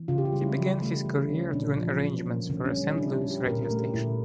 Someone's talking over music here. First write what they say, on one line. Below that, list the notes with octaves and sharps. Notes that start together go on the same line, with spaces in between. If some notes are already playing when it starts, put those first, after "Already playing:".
He began his career doing arrangements for a Saint Louis radio station.
Already playing: E3
C#3 F4
G4
F4
G3
E4
E3
A3
E3
C#4
A#2 D4
F3
C#4
A#3
D3 C#4
C#4
G3
E4
D3 D4
F4
E4
C#4
G4
A#2 A#4
A#4
A3
G4
A#2 E4